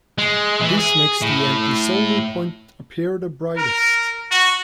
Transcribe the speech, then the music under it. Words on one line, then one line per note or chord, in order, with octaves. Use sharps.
This makes the antisolar point appear the brightest.
G#3
E3
G#4
A2
A#4
F#4